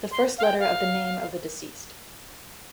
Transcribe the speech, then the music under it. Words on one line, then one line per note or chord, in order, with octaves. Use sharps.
The first letter of the name of the deceased.
C6
F5
G5
F5